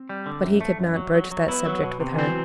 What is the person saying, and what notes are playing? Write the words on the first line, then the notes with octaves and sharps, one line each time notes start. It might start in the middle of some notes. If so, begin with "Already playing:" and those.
But he could not broach that subject with her.
Already playing: C4
G3
D3
F#2
A3
F#2
F#3
F#3
F#3
B3 E4
F#3
B2
C3
E3 C4
F#3